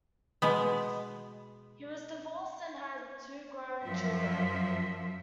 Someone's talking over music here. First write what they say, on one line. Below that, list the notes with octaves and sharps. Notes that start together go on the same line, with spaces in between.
He was divorced and had two grown children.
B2 G#3 B3
F#2 F3 E5